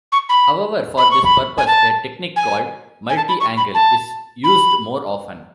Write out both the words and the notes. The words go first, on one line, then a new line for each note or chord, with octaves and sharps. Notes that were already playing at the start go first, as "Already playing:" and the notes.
However, for this purpose a technique called multi-angle is used more often.
C#6
B5
B5
C#6
B5
G#5
A5
G#5
G#5
A5
B5
C#6
B5
A5
B5